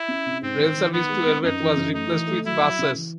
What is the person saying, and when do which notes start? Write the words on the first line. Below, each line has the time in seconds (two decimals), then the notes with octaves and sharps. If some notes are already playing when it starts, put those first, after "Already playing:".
Rail service to Everett was replaced with buses.
Already playing: E4
0.08 C#4
0.26 C3
0.42 G#2 C4
0.58 D#3
0.76 D#3
0.92 D#3 B3
1.09 G#3
1.26 C4
1.43 F#2 D#4
1.60 E3
1.76 F#2
1.93 A3 D#4
2.11 E3
2.27 A3
2.44 F#3 E4
2.61 F#3
2.78 C#3
2.95 E3